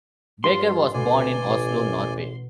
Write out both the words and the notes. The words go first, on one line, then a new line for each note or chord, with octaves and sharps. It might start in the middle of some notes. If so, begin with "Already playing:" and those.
Backer was born in Oslo, Norway.
G2 F4 C6
D2 B2 D5 G#5
A1